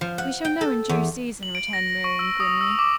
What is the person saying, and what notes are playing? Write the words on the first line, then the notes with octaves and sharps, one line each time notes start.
"We shall know in due season," returned Miriam grimly.
F3
F#5
G5
A4
E2
F#7
D7
A#6
A#6
C#6
E6
D#6
E6
D6